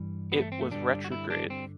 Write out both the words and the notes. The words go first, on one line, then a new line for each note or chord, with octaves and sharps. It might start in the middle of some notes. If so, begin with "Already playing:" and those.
It was retrograde.
Already playing: G2 E3 G3
B3
A3
C4
A3
G2 D3 G3 D4
F#4
E4
D4
C4